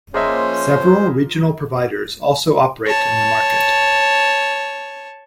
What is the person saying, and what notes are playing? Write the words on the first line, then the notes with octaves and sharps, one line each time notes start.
Several regional providers also operate in the market.
F3 A#3 C#4 G#4 C5 D#5 E5
C#5 A5